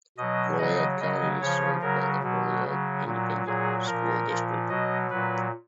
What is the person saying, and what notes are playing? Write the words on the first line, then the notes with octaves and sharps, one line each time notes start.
Goliad County is served by the Goliad Independent School District.
B2 F#3 D#5
C#3 F#3 D#5
C#3 F#3 D#5
C#3 F3 C#5
C#3 F#3 A#4
B2 F#3
C#3 F#3
A#2 F#3
A#2 F#3 G#4
A#2 F3 A#4
A#2 F3
B2 F#3 D#5
A#2 F#3 B4